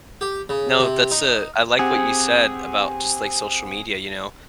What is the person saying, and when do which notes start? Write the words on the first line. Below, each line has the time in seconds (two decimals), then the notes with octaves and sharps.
No. That's, uh I like what you said about just, like, social media, you know,
0.21 G4
0.49 C#3
0.79 C3
1.11 D#4
1.79 C4 G4 G#4 F#5